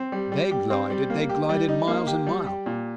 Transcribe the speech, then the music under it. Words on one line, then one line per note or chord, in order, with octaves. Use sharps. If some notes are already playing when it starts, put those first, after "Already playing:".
They glided--they glided miles and miles.
Already playing: C4
G3
G3
G4
C4
G3
A#3
G4
G3
D#4
A#3
G4
G3
G4
A#2